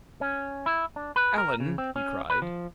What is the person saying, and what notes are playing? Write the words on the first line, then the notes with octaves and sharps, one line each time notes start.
"Alan!" he cried.
C#4
E4
D4
B4
A#4
C#3
C4
C#4
B4
F3